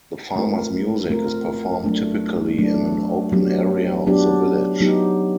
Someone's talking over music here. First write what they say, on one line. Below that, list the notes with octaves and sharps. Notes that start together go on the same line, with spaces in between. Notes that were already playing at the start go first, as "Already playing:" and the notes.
The farmers' music is performed typically in an open area of the village.
A3 C4 F4 A#4
A3 C4 F4 A#4
F#3 A3 D4
F#3 A3 D4
F#3 B3 D4 G4
F#3 B3 D4 G4
F#3 B3 D#4 G4